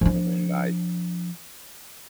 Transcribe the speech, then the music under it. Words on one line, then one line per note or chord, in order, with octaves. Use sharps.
Mhm, ni
F3 D4